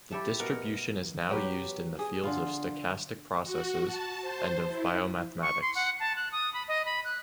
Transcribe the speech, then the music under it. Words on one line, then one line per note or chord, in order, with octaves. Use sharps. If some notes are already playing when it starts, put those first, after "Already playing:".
The distribution is now used in the fields of stochastic processes and of biomathematics.
E4 G4 A4 E5
B2 A#4 F#5
F#3 G4 B4
G#4
D3 F4
F#4
A5
C5
E4
C#6
C6
F#5
A5
F#6
D#6
B5
D#5
B5
F#6